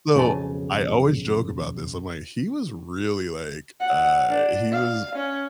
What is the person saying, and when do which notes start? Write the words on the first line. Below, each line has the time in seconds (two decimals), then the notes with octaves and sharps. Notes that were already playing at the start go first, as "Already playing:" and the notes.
So, I always joke about this, I'm like, "He was really like uh, he was
0.16 B1 F2 C#3 G#5 A5
3.80 F#5
4.29 D4
4.72 F5
5.16 C#4